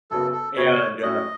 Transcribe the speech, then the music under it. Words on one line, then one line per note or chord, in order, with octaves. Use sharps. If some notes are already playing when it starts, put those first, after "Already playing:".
and, uh,
F#1 F#2 C#3 F#3 B3 A4
A4
F#1 F#2 C#3 F#3 B3 C#5
A2 F#3 C#4 D#5